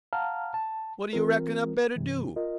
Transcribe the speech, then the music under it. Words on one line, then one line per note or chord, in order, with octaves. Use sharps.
What you reckon I better do?
F5 F#5 A5 A#5 F6
A5
E3 C4 F4 A#4
G2 C3 E3
F4 A#4 D#5